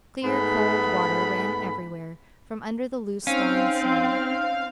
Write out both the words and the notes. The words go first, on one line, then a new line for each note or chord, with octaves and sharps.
Clear cold water ran everywhere from under the loose, thawing snow.
G#2 A3 B3 B5
C4 C#4 D#4 F5